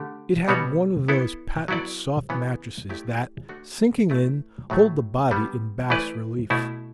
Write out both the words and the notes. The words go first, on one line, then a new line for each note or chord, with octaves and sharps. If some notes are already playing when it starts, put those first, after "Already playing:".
It had one of those patent soft mattresses that, sinking in, hold the body in bas-relief.
Already playing: D3 A3 G4
B2 G3 B3 F#4 C#5
B3 E4 A4
F#3 B3 E4 A4 D5
C#3 E3 B3
A3 E4 G4 D5
A3 D4 F#4
A3 E4 B4 D5
A2 F#3 A3
D3 G3 B3
E3 A3 E4 B4 D5
B2 A3 E4